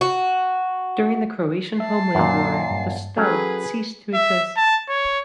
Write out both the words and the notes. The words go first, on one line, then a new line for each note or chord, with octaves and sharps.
During the Croatian Homeland War the Stud ceased to exist.
F#4
E5 A5 C7
F#2 A#2 F#3
G2
F#3 C#4 G#4 A4 B4 G5
E5
A5
C#5